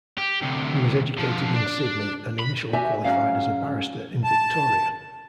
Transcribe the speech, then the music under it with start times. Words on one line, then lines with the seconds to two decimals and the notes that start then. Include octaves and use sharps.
He was educated in Sydney and initially qualified as a barrister in Victoria.
0.18 G4
0.42 D2 C3
1.18 D3 F3
1.55 D4
2.39 B5
2.73 F#4 G4 E5 G#5
3.04 G#2 E3 F#3 C#4 F5
4.24 A5